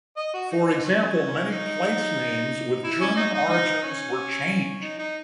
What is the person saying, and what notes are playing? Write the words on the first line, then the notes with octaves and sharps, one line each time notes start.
For example, many placenames with German origins were changed.
D#5
F#4
D#4
D#4
C#4
D#4
E4
C#4
D#4
D#4
D#4
C#4
D#4
D#4